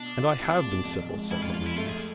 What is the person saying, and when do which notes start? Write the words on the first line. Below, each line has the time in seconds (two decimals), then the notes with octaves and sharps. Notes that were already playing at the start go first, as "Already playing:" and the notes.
'And I have been civil,' said Marie.
Already playing: B2 D4
0.17 F4
0.40 C2
0.62 B2
0.85 F2
1.09 G#3
1.31 F2 E4
1.42 F4
1.54 F2 F4
1.66 E4
1.77 A3 F4
1.89 G#4